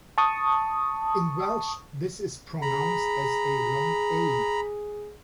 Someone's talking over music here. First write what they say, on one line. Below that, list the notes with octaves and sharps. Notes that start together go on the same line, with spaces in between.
In Welsh this is pronounced as a long A.
A5 C#6 D#6
G#4 A#5 B5